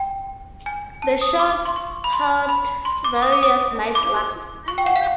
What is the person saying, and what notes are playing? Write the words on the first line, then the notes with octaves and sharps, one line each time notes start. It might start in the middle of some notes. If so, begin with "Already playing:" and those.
The show toured various nightclubs.
Already playing: G5
G#5
A5
D#6
D6
C6
C#6
B5
C6
B5
C6
D6
D#6
D6
D#6
D6
C#6
G5
F#5
F5